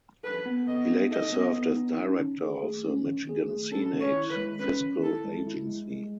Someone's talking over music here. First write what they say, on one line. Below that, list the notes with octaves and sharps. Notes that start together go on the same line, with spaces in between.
He later served as Director of the Michigan Senate Fiscal Agency.
A4 B4
B3
B3 D#5
D#4
A4 D#5
B3
B3
D#4
C#4
D#3
G#4
A3
C#4
D#3
G#4
A3
C#4 A4
D#3
C#5
E4
B4
G#3
C#4 B4
D#3
E4 A4
G#3
E4
G#3
G#3